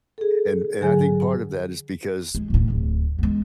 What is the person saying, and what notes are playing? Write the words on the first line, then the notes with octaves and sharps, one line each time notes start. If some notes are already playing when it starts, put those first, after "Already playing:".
and and I think part of that is because
G#4 A4
G#2 D3 F#3 G#4 G#5
G#3
D#1 A2
D1
G#3 B3